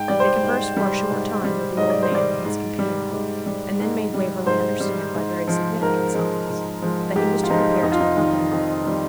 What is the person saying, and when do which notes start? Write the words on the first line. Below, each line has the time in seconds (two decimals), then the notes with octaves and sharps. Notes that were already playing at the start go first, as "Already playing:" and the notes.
They conversed for a short time with the old man and his companion, and then made Waverley understand, by very significant signs, that he was to prepare to accompany them.
Already playing: G#2 G5
0.08 G3 D5
0.20 C5
0.43 G#2
0.77 G3
1.11 G#2
1.44 G3
1.77 G#2 D#5
1.90 D5
2.03 C5
2.11 G3 D5
2.45 G#2
2.79 G3
3.12 G#2
3.46 G3
3.80 G#2
4.14 G3
4.47 G#2 C5
4.80 G3
5.15 G#2
5.48 F3 G#3
5.81 G#2 A#4
6.14 F3 G#3
6.49 G#2
6.82 F3 G#3
7.15 G#2 G4
7.43 F4
7.50 F3 G#3 D#4
7.83 F2 D#4
7.92 F4
8.00 D#4
8.17 D#3 G3
8.51 F2
8.84 D#3 G3